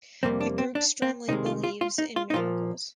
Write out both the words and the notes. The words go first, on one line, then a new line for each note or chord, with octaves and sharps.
The group strongly believes in miracles.
F2 C3 G3 A#3 C4
D4
C4
D4
C4
C2 C3 D#3 G#3 D#4
F4
F4
F4
D#4
F4
D#4
A#2 F3 A#3 F4